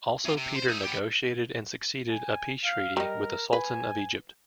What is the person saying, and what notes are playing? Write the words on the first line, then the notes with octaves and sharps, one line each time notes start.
Also Peter negotiated and succeeded a peace treaty with the Sultan of Egypt.
E2 F4
C3
C5
D#4 E5
B3 G4
G#5
F5
G3 A#4 D#5
B4 G#5